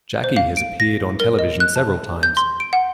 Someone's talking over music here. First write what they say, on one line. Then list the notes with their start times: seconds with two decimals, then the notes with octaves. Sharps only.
Jakki has appeared on television several times.
0.24 C5
0.36 F5
0.57 D7
0.80 A#6
1.20 A#4
1.39 D#5
1.60 F#6
1.76 A5
2.23 G6
2.37 C6
2.60 D7
2.73 F#5